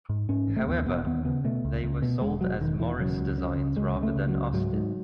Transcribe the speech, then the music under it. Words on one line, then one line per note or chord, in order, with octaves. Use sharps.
However, they were sold as Morris designs rather than Austin.
G#2
G#2 C#4
A1
A3
D#2 B3
E1 B3
D#2 B3
C#3 B3
B2 A3
C#2
C#2
B2
E1 G#3
E1 F#3
E1 D#3
E1 E3
C#3 F#3
C#2
C#3
C#2
C#2 G#3
C#3
A3
C#2
F#3
C#2
G#2 F#3
G#2